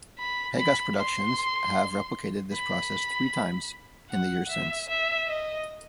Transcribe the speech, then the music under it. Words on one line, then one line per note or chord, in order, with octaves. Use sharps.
Pegas Productions have replicated this process three times in the years since.
B5
B5
C6
B5
F#5
E5
E5
D#5